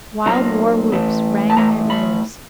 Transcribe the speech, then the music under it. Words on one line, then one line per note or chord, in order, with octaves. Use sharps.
Wild war-whoops rang in their ears.
A#2 F#3 A#3 A#5
A2 E3 A3
A5
A2 E3 A3 A#5
B5